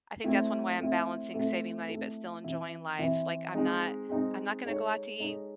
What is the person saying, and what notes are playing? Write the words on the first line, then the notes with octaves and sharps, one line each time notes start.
I think that's one way I'm balancing saving money, but still enjoying life, like, I'm not I'm not gonna go out to eat,
A3 C4 E4
A3 C4 E4
A3 C4 E4 A4
A3 C4 E4 A4
E3 C4 E4
E3 C4 E4
G#3 C4 D#4
G#3 C4 D#4
G#3 D#4 A4 C#5
G#3 D#4 A4 C#5